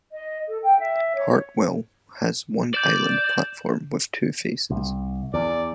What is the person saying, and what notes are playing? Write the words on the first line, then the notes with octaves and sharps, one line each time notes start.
Hartwell has one island platform with two faces.
D#5
A4
G5
E5
C#5
D5 G6 E7
C2
E2 D5